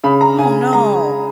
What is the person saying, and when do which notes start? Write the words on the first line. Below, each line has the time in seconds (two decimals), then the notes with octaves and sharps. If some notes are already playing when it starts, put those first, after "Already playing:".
Oh, no.
0.04 C#3 B5
0.21 A#5
0.38 C#3 G#5
0.72 G#3 A#5